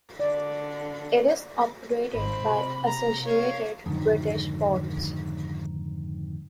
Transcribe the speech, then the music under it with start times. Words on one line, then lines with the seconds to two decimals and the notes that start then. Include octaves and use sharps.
It is operated by Associated British Ports.
0.20 D3 D5
2.14 G#1 C4 B5
2.44 C3
2.85 A#5
3.25 A#3 C#5 F5
3.86 F2 G#2 D3 D#3